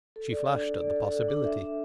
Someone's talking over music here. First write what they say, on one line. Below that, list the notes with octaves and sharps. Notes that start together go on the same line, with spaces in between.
She flushed at the possibility.
A4
D5
D4
A4
D5
A4
A4
D4
E5
E5